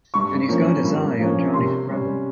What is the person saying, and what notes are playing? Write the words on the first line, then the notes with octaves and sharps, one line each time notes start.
And he's got his eye on Johnny's brother.
G2 C#6
F3 A#3 C#4
G2
F3 A#3 C#4
C3 C6
G3 C#4